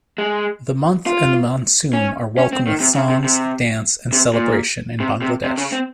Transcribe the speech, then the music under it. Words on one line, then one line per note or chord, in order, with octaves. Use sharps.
The month and the monsoon are welcome with songs, dance, and celebration in Bangladesh.
G#3
F4
C#4
C#4
C4
D#3
C3
C#3
C3
C3
C3
A#2
C3
C3
C3
C#3
C4